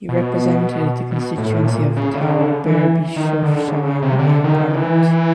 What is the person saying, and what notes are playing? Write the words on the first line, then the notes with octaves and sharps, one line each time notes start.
He represented the constituency of Tauberbischofsheim in parliament.
B2
B2
A2
A2
A#2
C#3
D3
C#3
D3
E3
D#3
D3
C#3
C#3
C3
D3
D#3
E3